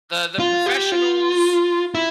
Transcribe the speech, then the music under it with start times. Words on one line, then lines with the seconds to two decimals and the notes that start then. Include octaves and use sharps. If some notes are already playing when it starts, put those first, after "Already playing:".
The the professionals,
0.40 F4
0.66 G4
0.92 F4
1.95 E4